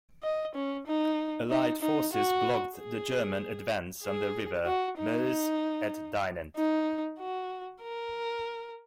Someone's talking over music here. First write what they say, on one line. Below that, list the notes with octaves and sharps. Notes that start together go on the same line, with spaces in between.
Allied forces blocked the German advance on the river Meuse at Dinant.
D#5
C#4
D#4
D#4
D#4
F#4
G#4
G#4
F#4
D#4
D#4
F#4
A#4